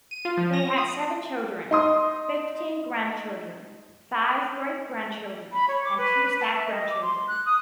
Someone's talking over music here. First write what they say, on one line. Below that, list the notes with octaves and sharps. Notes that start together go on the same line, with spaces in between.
They had seven children, fifteen grandchildren, five great-grandchildren, and two step-grandchildren.
D#7
F4
F3
A#6
D#6
D#4 C6 D#6
B5
C#5
D6
B4
A5
E5
D#5
D6
C6
F#6
D#6